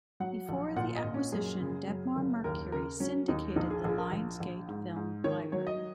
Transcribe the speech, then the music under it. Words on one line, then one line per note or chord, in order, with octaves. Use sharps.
Before the acquisition, Debmar-Mercury syndicated the Lionsgate film library.
F#3 F#5
A#1
A#2 F#5
D#5
A#2
C#4
F#2 G#4
C#3
F#2
F#1
D#2 A#4
C#3 A#4
F#3 C#4
D#2 D#4
A#1 D#4
G#4
A#1 G#4
A#4
A#1
A#1
G#2
G#2
D#3 C#5
F#3 C#5
D#5